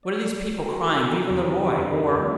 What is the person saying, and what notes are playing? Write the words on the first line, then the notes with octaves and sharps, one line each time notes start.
What are these people crying 'Vive le Roi!' for?
D5
F#4 A4 A#4 G5 G#5 A#5
E2 D3 C4 G4 A#5 B5
F3 G3 A3 B3 F4 G4